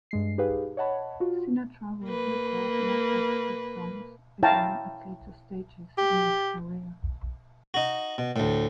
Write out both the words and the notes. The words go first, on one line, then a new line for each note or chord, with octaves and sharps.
Sinatra would record most of these songs again at later stages in his career.
G2 G#3 C7
D#4 G4 G#4 B4 F5
C#5 D#5 F#5 A5 B5
F4 F#4
A#3 B4
E4 C#5 F5 G5 A5 A#5
G4
D#4 F#4
B2
D2 A2